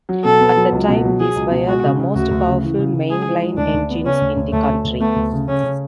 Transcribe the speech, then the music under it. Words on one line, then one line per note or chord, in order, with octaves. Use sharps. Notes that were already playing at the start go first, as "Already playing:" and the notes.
At the time, these were the most powerful main line engines in the country.
F#3
B2 A4
B3
F#3
C#2
B2
F#3
F#3 G#4
C#2
B2
G#3 F#4
C#3
C#3
D2 F#4
D2
C#3
E3
C#3
C#3
G#3 G#4
E3
G#3
D2 D4
D2
B3
C#3 C#4
D2
D2
D2 A3
D2
D2
A3 B3
D2
C#3
C#3 C#4
C#3